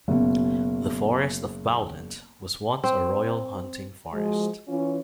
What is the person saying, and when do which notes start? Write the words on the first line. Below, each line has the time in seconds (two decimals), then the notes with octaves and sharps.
The Forest of Bowland was once a royal hunting forest.
0.08 F#1 B2
2.84 C4
4.13 F3 G#3 F#4
4.68 E3 C#4 F4